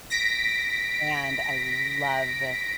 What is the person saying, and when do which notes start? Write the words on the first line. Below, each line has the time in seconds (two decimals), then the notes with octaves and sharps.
and I love
0.10 A#6 B6 D7